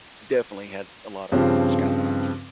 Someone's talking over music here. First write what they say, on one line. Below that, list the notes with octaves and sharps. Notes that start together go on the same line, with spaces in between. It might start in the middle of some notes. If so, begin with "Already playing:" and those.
definitely had f a lotta SkyMiles,
G2 C#3 F3 C4